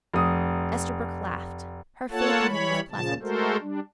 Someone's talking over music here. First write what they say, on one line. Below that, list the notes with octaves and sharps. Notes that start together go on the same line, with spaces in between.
Esterbrook laughed; her faith in him was pleasant.
F1 D#6
A#3 F4 A4 C#5 F#5 A5
E3 G3 C#5 B5
A#2 C#3 F3 A5
G#3 A3 F#4 A4 A#4 C5
G3 D4